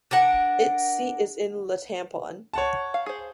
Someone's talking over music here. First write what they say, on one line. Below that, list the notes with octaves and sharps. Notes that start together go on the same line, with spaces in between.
Its seat is in Le Tampon.
D4 A#4 F#5
C#5 F#5 A5
F5
G#4 C5